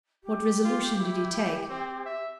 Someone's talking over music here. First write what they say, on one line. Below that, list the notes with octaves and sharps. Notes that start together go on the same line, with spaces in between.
What resolution did he take?
G4
F4
E4
C4
E5